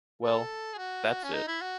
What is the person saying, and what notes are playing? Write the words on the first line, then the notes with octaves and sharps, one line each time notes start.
Well, that’s it.
A4
G#4
F#4
C#4
D#4
E4
F#4